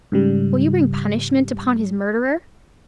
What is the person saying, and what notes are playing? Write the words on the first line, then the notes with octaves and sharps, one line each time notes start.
Will you bring punishment upon his murderer?
G#2 C#3 G3